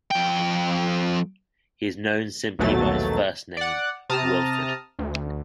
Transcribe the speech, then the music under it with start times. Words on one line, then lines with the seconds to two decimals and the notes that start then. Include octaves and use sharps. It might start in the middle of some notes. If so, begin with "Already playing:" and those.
He is known simply by his first name, Wilfred.
0.11 F2 G5
2.59 A#1 D#2 B2 F#3 A3 A6
3.57 D5 F#5
4.09 C3 A5 A#5 D#6 F6
4.99 D2